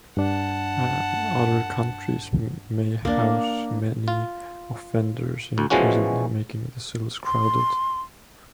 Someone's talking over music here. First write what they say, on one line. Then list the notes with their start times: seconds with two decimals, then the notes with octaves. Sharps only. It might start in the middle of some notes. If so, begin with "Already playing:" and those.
Other countries may house many offenders in prisons, making the cells crowded.
0.17 G2 D4 F#5 A5
3.05 A#3 D4
4.08 F4
5.58 D2
5.70 B2 E3 F3 G#3 C#4 F#4
7.25 C6